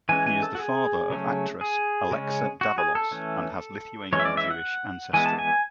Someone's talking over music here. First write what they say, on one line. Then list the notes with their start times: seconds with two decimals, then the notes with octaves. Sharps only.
He is the father of actress Alexa Davalos and has Lithuanian-Jewish ancestry.
0.09 E3 G#3 C#4 G#5
0.26 G#5
0.43 A4
0.55 F#4
0.60 G#4
1.10 C#3 F#3 A3 C#4
1.61 G#4
2.11 C#3 G#3 C#4
2.61 F#4
2.78 G#4
2.95 A4
3.11 E3 A3 C#4
4.13 E3 G#3 C#4 C#5
4.20 E5
4.25 D5
4.37 E5
4.51 F#5
5.13 E3 G#3 B3 G#5
5.26 A5
5.38 G#5